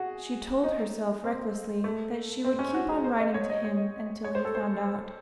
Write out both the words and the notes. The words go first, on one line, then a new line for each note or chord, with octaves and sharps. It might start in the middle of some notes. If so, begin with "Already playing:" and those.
She told herself recklessly that she would keep on writing to him until he found out.
Already playing: F#4 G#4
D#4
C4
A3
C4
C#4
F#4
G#4
C5
D#5
C#5
D#5
C#5
C#5
C5
A4
C5